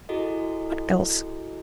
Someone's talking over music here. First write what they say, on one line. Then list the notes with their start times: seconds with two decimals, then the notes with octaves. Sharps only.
What else?
0.09 E4 F#4 G#4 A4 D#5